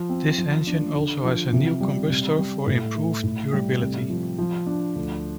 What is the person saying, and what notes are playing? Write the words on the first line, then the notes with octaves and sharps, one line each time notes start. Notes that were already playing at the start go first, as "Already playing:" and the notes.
This engine also had a new combustor for improved durability.
Already playing: F3
C4
F3
D4
D3
F3
C3
G3
C3
G3
A2
A3
A2
G3
C3
F3
F3
D4
D2